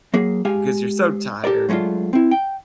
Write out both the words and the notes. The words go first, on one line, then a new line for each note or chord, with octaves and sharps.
because you're so tired.
F#3 A#3 G#4
G#3 G4 F5 G#5
G4 A4 A#4 D5
F#3 G#3 A3 D4 F4
C4 E4
G5